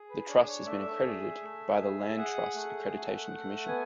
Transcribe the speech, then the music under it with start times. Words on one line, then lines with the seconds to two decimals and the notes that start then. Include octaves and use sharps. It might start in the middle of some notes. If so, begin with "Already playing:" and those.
The Trust has been accredited by the Land Trust Accreditation Commission.
Already playing: G#4
0.09 B4
0.28 D4 C#5
0.47 C#5
0.66 A3 E5
1.04 G#4
1.42 A3
1.80 G#4
2.17 G#4 F#5
2.55 A3
2.93 A3
3.30 A3
3.67 B3 G#5